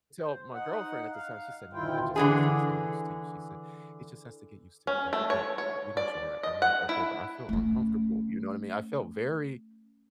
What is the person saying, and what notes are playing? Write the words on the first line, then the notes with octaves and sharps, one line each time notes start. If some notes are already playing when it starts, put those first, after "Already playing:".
tell my girlfriend at the time. She said, "No, no, that just means that he's getting used to you." She said, "He just has to get used to you, like, uh, but d we want you here." I'm like, "Okay, but I feel uncomfortable, you know what I mean?" I felt very
C5
D#4 F#5
F5
D2 A#2 D#3 E4 F4 G5
D3 E3 G#4
C#4
A3
C#5
C#5
D5
D#5
F#5
E4
A3 C#4